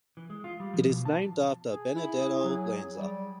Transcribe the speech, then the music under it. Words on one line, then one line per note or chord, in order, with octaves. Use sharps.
It is named after Benedetto Lanza.
E3
G#3
F4
G3
F3
B2
A5
G#4
E4
F#3
G3